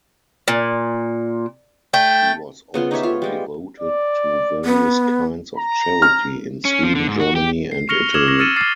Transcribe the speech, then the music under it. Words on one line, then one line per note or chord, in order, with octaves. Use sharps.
She was also devoted to various kinds of charity, in Sweden, Germany and Italy.
A#2
A3 G5
C#3 B3 F4 C6
D#4 G4 C#5 E5
F4 F5
G3 G#3 G5
D5
B3
A#5
F6
C#4
F3
D3
G#2
F#4
G4
C7
C#6 F6 A#6 C#7 F7 G7
D6 E6 F6 G#6 E7 F#7
C#6 A#6
E6 F6 A6 C#7 D#7 E7
D6 F6 A6 C7